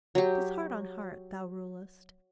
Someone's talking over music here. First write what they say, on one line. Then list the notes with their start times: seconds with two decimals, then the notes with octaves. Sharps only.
'Tis heart on heart thou rulest.
0.15 F#3 G4